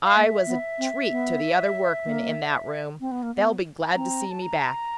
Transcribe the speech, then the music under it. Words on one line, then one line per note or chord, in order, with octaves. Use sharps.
I was a treat to the other workmen in that room; they'll be glad to see me back.
F5
A#3 E5
B3
C4
B3
A#3
C4
B3
A#3
B3
A5
C4 A#5
A5
A#5